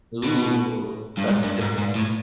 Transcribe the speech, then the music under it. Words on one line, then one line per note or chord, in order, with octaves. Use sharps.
Ooh, that's good one.
B2
G2
G#2
G2
G#2
G#2
A2